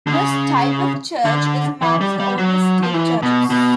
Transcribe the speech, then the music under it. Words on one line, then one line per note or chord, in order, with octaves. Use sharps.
This type of church is amongst the oldest Stave Churches.
D3
C#3
D3
E3
G3
G3
F#3
F3
E3
B2
B2